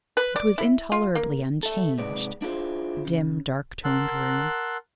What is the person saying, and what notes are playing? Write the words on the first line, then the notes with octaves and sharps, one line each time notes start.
It was intolerably unchanged, the dim, dark-toned room.
B4
D5
E4
F4
A#3
A4 E5
G#2 C3 G#4 B4 D5
D4 E4 F4 G#4 A#4 C5
C#3
A#4 F#5 A5 C6 E6 F#6